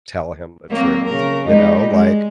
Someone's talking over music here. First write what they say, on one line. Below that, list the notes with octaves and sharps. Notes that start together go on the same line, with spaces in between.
tell him the truth?" You know, like,
F#3 A#3 C4
C#3 A#4
G3 G#3 D#4
G#3